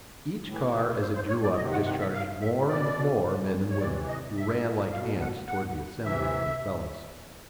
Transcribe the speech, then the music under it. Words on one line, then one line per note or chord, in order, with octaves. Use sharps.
Each car as it drew up discharged more and more men and women, who ran like ants towards the assembly of their fellows.
A2 E3
C5
C5
C#5
D5
C3 D#3 D#5
F#5
F#5
E5
F5
E5
B2 D5
C#5
C3 E3 D5
D#5
E5
B2 F5
F#5
F#5
C3 E3 E5